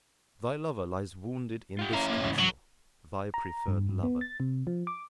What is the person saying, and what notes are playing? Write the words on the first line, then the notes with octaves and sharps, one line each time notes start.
Thy lover lies wounded in this castle--thy preferred lover.
F4 G4
C#4 E4 F5 A#5
A#3
G#2 C#3 E3
F#3
A#5
G2
G2
B3
A6
C3
F3
D6